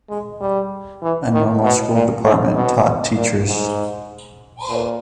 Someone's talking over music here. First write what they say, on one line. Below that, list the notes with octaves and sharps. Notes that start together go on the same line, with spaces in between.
A normal school department taught teachers.
G#3
G3
E3
D#3
B2
A#2
G#2
B2
A#2
G#2
A#2